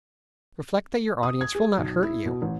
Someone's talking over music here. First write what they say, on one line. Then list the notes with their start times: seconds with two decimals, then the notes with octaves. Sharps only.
Reflect that your audience will not hurt you.
1.23 D#6
1.41 G#6
1.55 G#4
1.78 B1
2.03 E4
2.25 B2
2.42 A1